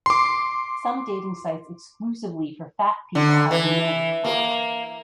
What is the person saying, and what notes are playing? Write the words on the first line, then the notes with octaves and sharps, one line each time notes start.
Some dating sites exclusively for fat people have been made.
C6 D6
D3
E3
A#3